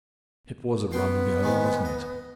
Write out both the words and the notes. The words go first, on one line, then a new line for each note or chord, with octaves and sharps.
It was a rum go, wasn't it?
B3 G5 C6
D#3 G#3 C4
D#5